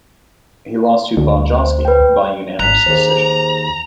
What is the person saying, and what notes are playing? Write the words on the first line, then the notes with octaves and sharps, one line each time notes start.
He lost to Bonjasky by unanimous decision.
D2
C5
B4 G5
G#1 A#5 F#6 B6
D#2 G#4 C5